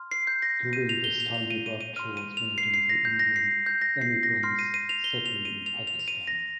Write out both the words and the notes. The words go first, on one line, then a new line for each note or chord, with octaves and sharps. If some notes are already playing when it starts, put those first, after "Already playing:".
During this time, he worked towards managing the Indian emigrants settling in Pakistan.
Already playing: C6 F6
C7
G6
A#6
D#7
F7
G7
F7
F7
D#7
D#7
D#7
C6 F6 D#7
D#7
F7
C7
C7
A#6
G6
A#6
C7
G6
A#6
C7
A#6
C6 F6 C7
D#7
D#7
F7
G7
F7
D#7
F7
F7
F7
D#7
A#6